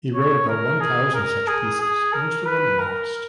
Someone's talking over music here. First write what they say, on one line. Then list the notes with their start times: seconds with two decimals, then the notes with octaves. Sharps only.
He wrote about one thousand such pieces, most of them lost.
0.14 C#5
0.48 A#4
0.80 G#4
1.14 A#4
1.47 G#4
1.80 G#4
2.13 A#4
2.46 B4
2.79 A#4